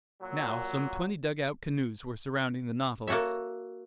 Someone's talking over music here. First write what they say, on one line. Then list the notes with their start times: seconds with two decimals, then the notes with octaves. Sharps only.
Now some twenty dugout canoes were surrounding the Nautilus.
0.21 A#2 F#3
3.07 A#3 F#4 A4 C#5 E5